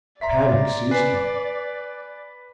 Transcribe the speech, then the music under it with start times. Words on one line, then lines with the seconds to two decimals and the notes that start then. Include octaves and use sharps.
Panic seized him.
0.21 D5 E5 A#5 C6 B6
0.91 B4 G#5 C7